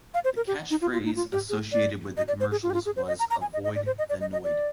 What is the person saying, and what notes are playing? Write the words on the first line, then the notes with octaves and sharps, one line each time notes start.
The catchphrase associated with the commercials was Avoid the Noid.
F5
C5
A#4
G4
D#4
F4
F4
D#4
F4
G4
G#4
D5
D#5
D5
C5
G#4
F4
G4
F4
G#4
C5
D#5
A#5
A#5
G#5
D#5
D#5
D5
C5
D#5
D5
D#5
D#5
D5